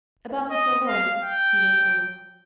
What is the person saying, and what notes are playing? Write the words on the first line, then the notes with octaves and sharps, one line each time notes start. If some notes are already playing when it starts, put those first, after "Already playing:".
"About the Savoy," he went on.
D#5
F5
G5